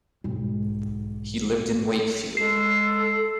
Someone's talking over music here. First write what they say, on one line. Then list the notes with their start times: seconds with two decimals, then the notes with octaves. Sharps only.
He lived in Wakefield.
0.24 B1 G#2
2.37 G#3 A4 C7